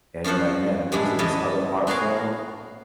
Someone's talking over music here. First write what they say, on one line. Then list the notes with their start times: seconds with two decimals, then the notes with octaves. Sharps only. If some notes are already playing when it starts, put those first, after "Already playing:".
and you're like, "Man, if it was in this other art form,"
0.24 F#2 F3 F4 C5 F#5
0.92 A2 G#3 D4 E4
1.19 E2 C#3 B3 E4 D#5 A5
1.87 B3 F#4 G#4 A#4 F5